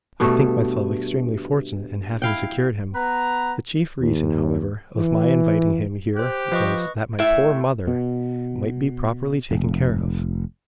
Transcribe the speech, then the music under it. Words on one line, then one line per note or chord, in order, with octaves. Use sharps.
I think myself extremely fortunate in having secured him. The chief reason, however, of my inviting him here was, that my poor mother might be properly taken care of.
G2 B2 A3
E4 F5 G5
B3 B4 A#5
D#2
E3
G4 C5 F#6
F3 B4 D#5 C#6
A2 E5
B2
F1